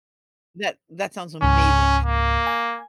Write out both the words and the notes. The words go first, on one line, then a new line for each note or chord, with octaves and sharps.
That that sounds amazing.
C#2 G#2 C#4
A#3
G#5